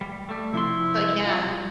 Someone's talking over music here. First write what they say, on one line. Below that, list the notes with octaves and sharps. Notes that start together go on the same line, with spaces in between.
So yeah.
G3
G3 A3
C3 F3 E4 C6
F4
G3